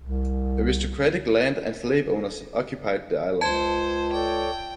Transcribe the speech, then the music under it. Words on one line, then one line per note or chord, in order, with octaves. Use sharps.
Aristocratic land and slave owners occupied the island.
C2
C#2 C5 A5 G#6
A4 C#5 D5 G5